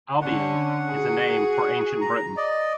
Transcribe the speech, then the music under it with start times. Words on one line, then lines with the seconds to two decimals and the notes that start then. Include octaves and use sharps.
Albion is a name for Ancient Britain.
0.22 D3 C#4 F#5
0.86 F#4 G#4
2.01 A#5
2.37 D5 D#5